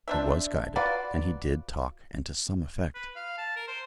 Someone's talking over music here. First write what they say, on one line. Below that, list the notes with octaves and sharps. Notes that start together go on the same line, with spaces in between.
He was guided, and he did talk and to some effect.
D4 C5 E5
F4 F#4 B4 D5
B4
F5
A5
A#4
C5